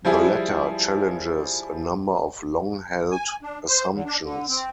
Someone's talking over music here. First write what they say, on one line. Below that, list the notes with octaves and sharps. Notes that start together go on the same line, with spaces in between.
The Letter challenges a number of long-held assumptions.
F3 G3 E4 G#4
G#5
D4
C5
E2
D4
D3
C4